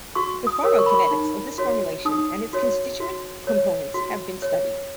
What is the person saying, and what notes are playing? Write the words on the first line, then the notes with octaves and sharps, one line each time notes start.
The pharmacokinetics of this formulation and its constituent components have been studied.
F#4 C#6
D#6
A#4 C#5
C#6
B5
C#6
D#4
F#4 C#5
D#4 D#6
F#4 C#5
F#4
C#5
F#4
C#5